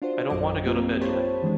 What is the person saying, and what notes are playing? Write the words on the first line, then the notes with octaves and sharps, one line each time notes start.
I don’t want to go to bed yet!
D4 F4 F#4 C5
A#1 F#2 F#3 D#5 D6
A#3 C4 F4 G4 A#4
F4 G4 C5 C#5 A5 B5
D#3 E3 G#3 D4